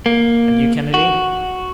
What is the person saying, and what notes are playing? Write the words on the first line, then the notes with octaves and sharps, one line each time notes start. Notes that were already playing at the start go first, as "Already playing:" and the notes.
"And you, Kennedy?"
A#3
F#4